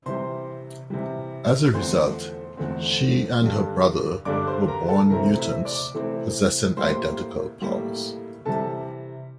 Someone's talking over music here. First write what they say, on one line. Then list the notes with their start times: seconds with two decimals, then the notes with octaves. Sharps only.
As a result, she and her brother were born mutants, possessing identical powers.
0.06 C3 E3 G3 C5 C6
0.90 C3 E3 G3
1.73 E2 D3 F3 A3 C4 C5 C6
2.57 E2 D3 F3 A3 C4
3.42 G2 D3 G3 D4
4.25 G2 D3 G3 D4 D5 D6
4.47 C5 C6
4.68 A#4 A#5
4.88 A4 A5
5.10 C3 E3 A3 C4 E4 A#4 A#5
5.38 E4 E5
5.65 D5 D6
5.94 C3 E3 A3 C4 E4
6.77 A2 G3 A#3 C5 C6
7.62 A2 G3 A#3
8.45 C3 E3 G3 A4 A5